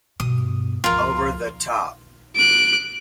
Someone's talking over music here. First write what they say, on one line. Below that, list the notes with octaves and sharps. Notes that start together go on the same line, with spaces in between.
Over the Top!
G2 B2 D#6
C#2 F3 F4 A#4
F#6 D7